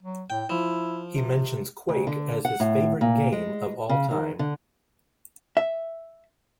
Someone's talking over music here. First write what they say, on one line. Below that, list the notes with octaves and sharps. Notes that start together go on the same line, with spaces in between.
He mentions Quake as his favourite game of all time.
F#3
A2 G5
F3 E4
C3
D2
D3
F#5
A2
A#2
G#3
C#3
D#3
D3
E5